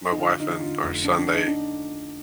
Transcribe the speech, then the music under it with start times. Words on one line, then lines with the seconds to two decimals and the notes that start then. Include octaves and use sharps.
my wife and our son, they
0.11 D#4
0.17 D3 F4
0.31 F4
0.39 D3 D#4
0.60 D3 F4
0.83 F1
1.04 D3 D4
1.19 D4
1.25 D3
1.34 D#4
1.48 D4